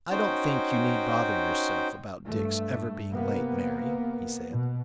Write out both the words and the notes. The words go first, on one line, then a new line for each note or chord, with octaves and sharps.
"I don't think you need bother yourself about Dick's ever being late, Mary," he said.
C#4 D#4 F#4 C5 G5
G2 A3
C3 A#3 B3
B2